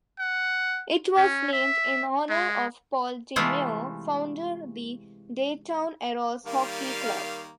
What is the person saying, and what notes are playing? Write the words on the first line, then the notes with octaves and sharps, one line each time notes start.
It was named in honour of Paul Deneau, founder the Dayton Aeros hockey club.
F#5
C#4
E5
G#3
C3 E3 G#3 A3 F4
D#3 G3 A#3 A#4 F5